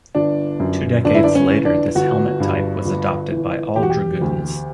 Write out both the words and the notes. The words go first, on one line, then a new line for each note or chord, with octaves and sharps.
Two decades later this helmet type was adopted by all dragoons.
G1 D4
F#2
G1 D4
E4
D4
C#4
E3
D4
G1 F#4
G2
G1
E3
E1 G4
F#4
G4
D2